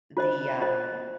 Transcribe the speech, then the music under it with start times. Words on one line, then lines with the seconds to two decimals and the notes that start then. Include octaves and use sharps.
the, um
0.17 F4 C5 D#5
0.61 F4 C5 D#5